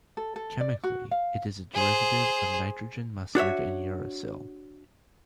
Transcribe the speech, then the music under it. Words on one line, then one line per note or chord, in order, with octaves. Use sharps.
Chemically it is a derivative of nitrogen mustard and uracil.
A4
A4
D5
F#4
F5
G#4 C5
D4 F#4 C#5 E5